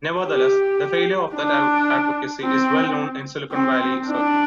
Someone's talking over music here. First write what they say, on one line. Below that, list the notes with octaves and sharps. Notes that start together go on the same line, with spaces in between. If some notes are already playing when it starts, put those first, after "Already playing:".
Nevertheless, the failure of that advocacy is well known in Silicon Valley circles.
G4
D4
C4
C4
D4